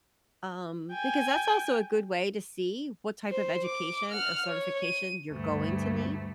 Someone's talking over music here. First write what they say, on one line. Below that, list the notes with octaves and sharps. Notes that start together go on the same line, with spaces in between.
Um, because that's also a good way to see, what type of education or certification you're going to need.
G5 G#5
C5
D6
F#5 F6
C#5
D#7
D2 G2 A3